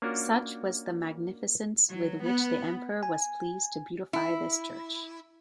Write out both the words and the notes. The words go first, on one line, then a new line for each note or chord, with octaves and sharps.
Such was the magnificence with which the emperor was pleased to beautify this church.
A#3 C#4 D4 F4 F#4 A#4
F#3
B3
G#5
E4